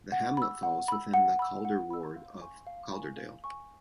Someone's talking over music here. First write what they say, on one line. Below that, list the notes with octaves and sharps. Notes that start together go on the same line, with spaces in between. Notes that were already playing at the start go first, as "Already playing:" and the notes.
The Hamlet falls within the Calder ward of Calderdale.
F#5
B5 E6
F#5
B5 E6
F#5
B5 E6
F#5
B5 E6
F5
G#5 C#6
F5
G#5 C#6
F5
G#5 C#6